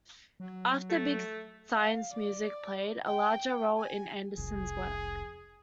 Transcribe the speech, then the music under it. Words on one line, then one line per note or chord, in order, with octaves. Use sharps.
After "Big Science" music played a larger role in Anderson's work.
F#3
A3
F5
D5
G5
G#5
F1 C2 G#4